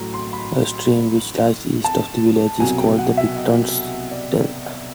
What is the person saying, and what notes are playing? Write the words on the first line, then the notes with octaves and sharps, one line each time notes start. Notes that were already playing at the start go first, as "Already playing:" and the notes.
A stream which lies east of the village is called the Picton Stell.
Already playing: A1 A2 F#3 A3 A#5
C6
B5
A5
C2 B2 F#3 G#5
G5
F#5
E5
D#5
D5